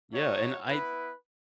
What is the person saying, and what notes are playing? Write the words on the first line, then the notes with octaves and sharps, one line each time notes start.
Yeah, and I
A3 D#4 F#4 C#5
B3 E4 B4